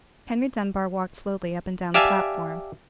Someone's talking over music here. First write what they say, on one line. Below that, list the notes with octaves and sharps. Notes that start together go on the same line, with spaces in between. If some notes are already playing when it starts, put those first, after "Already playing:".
Henry Dunbar walked slowly up and down the platform.
G4 D5 E5 F5 G#5 A5